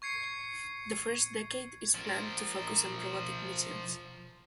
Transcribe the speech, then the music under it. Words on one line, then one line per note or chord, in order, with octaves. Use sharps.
The first decade is planned to focus on robotic missions.
C#6 G#6 C7 C#7
F3 A#4